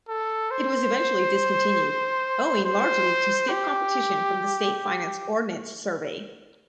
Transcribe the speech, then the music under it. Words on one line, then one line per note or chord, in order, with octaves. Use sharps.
It was eventually discontinued owing largely to stiff competition from the state-financed Ordnance Survey.
A4
C5
C5
G4